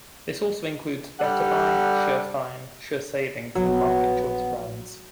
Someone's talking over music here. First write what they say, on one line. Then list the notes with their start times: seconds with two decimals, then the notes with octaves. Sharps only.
This also includes Better Buy, Shurfine, Shursavings, and Marketchoice brands.
1.20 G3 D4 G4 A4 F#5
3.55 A#1 F#3 B3